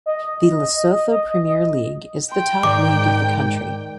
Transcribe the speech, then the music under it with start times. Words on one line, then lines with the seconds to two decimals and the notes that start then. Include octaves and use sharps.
The Lesotho Premier League is the top league of the country.
0.06 D#5
2.31 G5 C6
2.63 G#2 D#3 D5 D6